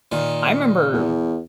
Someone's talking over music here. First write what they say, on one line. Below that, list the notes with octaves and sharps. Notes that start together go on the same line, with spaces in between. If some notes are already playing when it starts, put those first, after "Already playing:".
I remember
A#2 D#3
E2